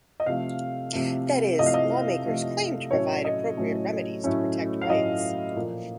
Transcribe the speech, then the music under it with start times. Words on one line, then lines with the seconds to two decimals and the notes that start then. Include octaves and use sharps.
That is, lawmakers claim to provide appropriate remedies to protect rights.
0.20 D#5
0.26 C3 F3 A3 F5
0.93 C3 F3 A3
1.59 C3 F3 A3 D#5
1.66 F5
1.74 D#5
2.25 C3 F3 A3
2.91 A2 F#3 A3 C#4 C#5
3.24 D#5
3.57 A2 F#3 A3 C#4
4.24 A2 F#3 A3 C#4
4.81 F5
4.89 A2 F#3 A3 C#4 D#5
5.56 A#2 F3 A#3